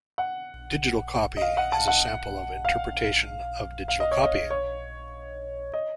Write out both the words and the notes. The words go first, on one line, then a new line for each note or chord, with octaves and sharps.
Digital Copy is a sample of interpretation of digital copying.
F#5
D#5
F5
F#5
A5
F#5
F5
F5
D#5
C#5
D#5
C#5
D#5